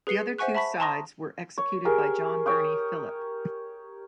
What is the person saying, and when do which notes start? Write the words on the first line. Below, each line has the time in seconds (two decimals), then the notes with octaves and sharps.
The other two sides were executed by John Birnie Philip.
0.07 G#4 B4 C7 C#7 G7
0.38 C5 E5 F#5 G#5 C#6 F#6
0.55 E5 A5 B5 C#6 B6
0.80 A5 A#5 C6 C#6 D#6 A#6
1.58 C#5
1.85 G4 G#4 A#4
2.46 C#5 G5 D#6